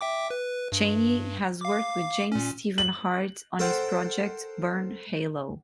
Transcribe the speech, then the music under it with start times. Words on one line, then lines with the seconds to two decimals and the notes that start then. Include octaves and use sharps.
Chaney has worked with James Stephen Hart on his project Burn Halo.
0.01 E5 G5 D6
0.30 B4
0.72 G2
1.61 F5 D6
2.32 A#2 C#4
2.78 F#7
3.59 A4 A#4 C5 F#5 G5